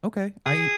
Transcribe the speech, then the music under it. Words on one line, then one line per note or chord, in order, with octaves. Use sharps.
okay. I
G#4